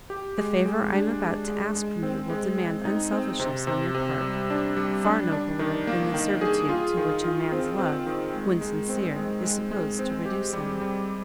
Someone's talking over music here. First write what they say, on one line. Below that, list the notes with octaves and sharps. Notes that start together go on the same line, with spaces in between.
The favor I am about to ask from you will demand unselfishness on your part, far nobler than the servitude to which a man's love, when sincere, is supposed to reduce him.
G4
G#3
G#3
D4
G#3
G#3
G#3
C4
G#3
G#3
D#4
C4
C3
C3
C3
G3
D4
G3
D4
D4
D#3
A#3
D#3
G#4
F4
D#3
F4
C4
C4
D#3
G#3
G#3
C4
G#3
G#3
G#3
C4
G4
G3
G3